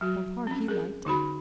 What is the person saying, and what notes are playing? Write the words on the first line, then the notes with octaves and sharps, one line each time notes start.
Bompard, he liked it.
F#3 F#4
C4 C#4
G#4 A#4
D3 D#4 F#4 B5